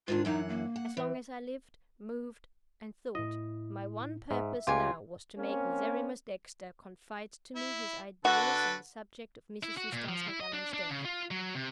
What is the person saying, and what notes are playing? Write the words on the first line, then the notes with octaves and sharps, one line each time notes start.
As long as I lived, moved, and thought, my one purpose now was to make Miserrimus Dexter confide to me his ideas on the subject of Mrs. Eustace Macallan's death.
G#2 D#3 D4 F4
F#2 E3 D#4 F#5
A#3
F#5
E3
A2 E4 D#5
G#2 E5
C#2 F4 G4 G#5 D6
A#3 C4 C#4
E4
D3 F#4 A4 B4
E4
F#4
A#2
F3
E4
D#5
D4
D4
C#3
F4
F#3
C3